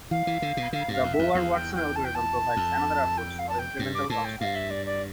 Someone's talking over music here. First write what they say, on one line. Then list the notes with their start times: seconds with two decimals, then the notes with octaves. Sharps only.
The Bowyer-Watson algorithm provides another approach for incremental construction.
0.11 E3 F5
0.27 E3
0.42 D3
0.57 B2
0.73 D3 F5
0.88 G2 F5
1.04 F2
1.13 E5
1.19 F2
1.34 E2 F5
1.55 G5
1.75 G5
1.96 A5
2.05 G5
2.15 A5
2.57 F2
3.18 G5
3.39 F5
3.49 A5
3.59 G5
3.79 G2
3.95 D6
4.10 A2 A5
4.25 G5
4.40 G2 F5
4.55 E5
4.71 D5
4.86 D5